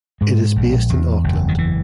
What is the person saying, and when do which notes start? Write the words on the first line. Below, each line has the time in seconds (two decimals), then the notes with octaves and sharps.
It is based in Auckland.
0.21 G#2 G#3
0.56 A#1
0.89 E2
1.24 F#1
1.48 D#3
1.58 E3